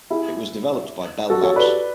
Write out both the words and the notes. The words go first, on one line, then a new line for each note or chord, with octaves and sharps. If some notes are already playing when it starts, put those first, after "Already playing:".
It was developed by Bell Labs.
E4 G#4
F#4 A4
A4 C#5
B4 D5